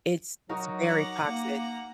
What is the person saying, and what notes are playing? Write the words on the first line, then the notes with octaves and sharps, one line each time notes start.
it's it's very toxic.
F#3 D#4 F#4 A#4
F#5 A#5 D6
A#3